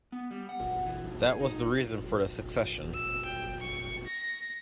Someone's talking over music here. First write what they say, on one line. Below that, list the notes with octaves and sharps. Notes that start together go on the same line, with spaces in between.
That was the reason for the Secession.
B3
G3
F#5
E3
B1
G#4
D#4
E6
G5
C#6
A#6